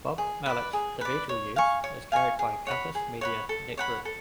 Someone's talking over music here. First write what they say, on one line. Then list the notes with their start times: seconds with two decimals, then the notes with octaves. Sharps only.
Bob Malik's "The Beatle Years" is carried by Compass Media Networks.
0.18 G#4
0.46 B4 D5
0.73 G#4
1.01 B4 D5
1.29 C#5
1.56 F5 G#5 C#6
1.84 C#5
2.12 F5 G#5 C#6
2.39 G#4
2.67 C#5 F#5 B5
2.95 G#4
3.21 C#5 F#5 B5
3.49 A4
3.77 C#5 F#5 B5
4.05 A4